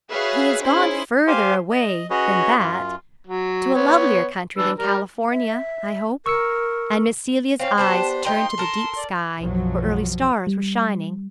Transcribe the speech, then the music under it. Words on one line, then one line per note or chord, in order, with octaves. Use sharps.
"He has gone further away than that, to a lovelier country than California, I hope." And Miss Celia's eyes turned to the deep sky, where early stars were shining.
F#4 G#4 B4 C#5 E5 F5
C#4 D#4 E4 G#4 C5 C6
G4 C5 F5 G#5 C6
D#5
C#4 F#4 G#4 B4 C#5 D#5
F#2 F4
F#3
B3 C#5
D4 B4 E6
G3 A#4
E5
A#4 C#6 E6 C#7
C4 C#4 F5
B3 D4 G4 C5 A5
A#3 D#4 C5 G5 C6
A4 A#4 A5
D5
B1 F#2 F3 F#3
G3